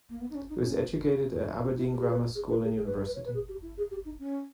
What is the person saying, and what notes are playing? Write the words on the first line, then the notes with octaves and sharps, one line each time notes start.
He was educated at Aberdeen grammar school and university.
A#3
B3
D#4
C#4
D#4
C#4
C#4
E4
G4
G#4
B4
G#4
B4
G#4
G#4
B4
B4
C#5
B4
G#4
G4
E4
G#4
G4
D#4
C#4